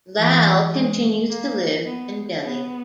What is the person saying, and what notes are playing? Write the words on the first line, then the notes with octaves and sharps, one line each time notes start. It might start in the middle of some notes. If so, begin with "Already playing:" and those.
Lal continues to live in Delhi.
E3
G#3
A#3
B3
B3